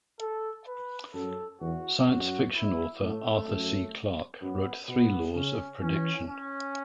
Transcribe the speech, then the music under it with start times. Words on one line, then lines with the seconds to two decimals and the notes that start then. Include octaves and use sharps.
Science fiction author Arthur C. Clarke wrote three laws of prediction.
0.20 A4
0.67 B4
1.14 F#2 A4
1.60 E2 F#4
2.08 F#2 F#4
2.55 E4
3.01 A2 A3
3.48 F#2
4.41 F#2 B3
4.88 B2 B3
5.35 C#3 C#4
5.82 E3 C#4
6.28 C#4